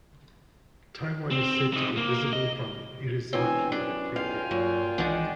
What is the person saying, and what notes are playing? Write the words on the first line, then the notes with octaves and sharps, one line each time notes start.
Taiwan is said to be visible from Irizaki on a clear day.
C4
C4 D#4
A#3
D#5
E1 C4 E4 B4 C#5 G#5
F#2 D4
B1 F4 F5 G5 G#5
G2 A#2 F#3
C2 D#3 E3 G#3 D4 F#5